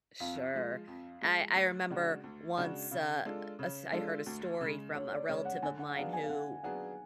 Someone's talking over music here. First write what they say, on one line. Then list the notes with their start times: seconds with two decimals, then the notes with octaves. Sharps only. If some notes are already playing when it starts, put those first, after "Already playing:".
Sure. I I remember once, uh, us I heard a story from a relative of mine who
0.20 F2 F5
0.54 F3 G#3
0.87 F2
1.22 F3 G#3
1.55 D2
1.90 C#3 G#3 D4 F#4
2.24 D2
2.57 C#3 G#3 D4 F#4
2.91 C#3 F5
3.26 G#3 D4 F4 A4
3.59 C#3 C#5
3.93 G#3 D4 F4 A4
4.26 D2
4.61 C#3 G#3
4.94 D2 C#5
5.12 D5
5.28 C#3 G#3 C#5
5.45 F#5
5.62 D3 G#5
5.79 F#5
5.91 F#5
5.96 F#3 B3 D4 G#4 F5
6.13 G#5
6.24 F5
6.29 D3 F#5
6.63 F#3 B3 D4 G#4 F#5